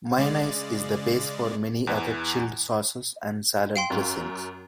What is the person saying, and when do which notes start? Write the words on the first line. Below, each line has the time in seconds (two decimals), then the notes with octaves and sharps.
Mayonnaise is the base for many other chilled sauces and salad dressings.
0.18 C#3 G#3 D5
1.87 E2 E3
3.76 F5 G5 C6
3.90 F#2